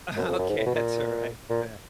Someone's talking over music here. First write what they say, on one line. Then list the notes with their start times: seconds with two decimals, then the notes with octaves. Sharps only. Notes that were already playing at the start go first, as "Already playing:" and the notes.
Okay, that's alright. Yeah.
0.16 F#2
0.27 F2
0.38 F#2
0.49 G#2
0.57 A2
0.66 B2
0.75 A#2
1.50 A#2